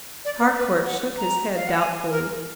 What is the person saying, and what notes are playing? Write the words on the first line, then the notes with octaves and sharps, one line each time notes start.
Harcourt shook his head doubtfully.
D5
B4
B4
F#5
A#5
F5
F#5
G#5
A#4